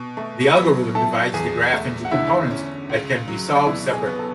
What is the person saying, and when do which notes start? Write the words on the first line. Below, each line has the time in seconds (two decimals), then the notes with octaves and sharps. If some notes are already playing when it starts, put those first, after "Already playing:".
The algorithm divides the graph into components that can be solved separately.
Already playing: B2
0.17 A3
0.55 F#3 B4 B5
0.95 E4 A4 A5
1.34 E2 G#4 G#5
1.73 A3
2.05 F#5
2.11 D3 E4 E5
2.51 C#4
2.89 C#2
3.28 F#3
3.56 D5
3.67 B2 E4 E5
3.93 G#4 G#5
4.06 B3
4.19 A4 A5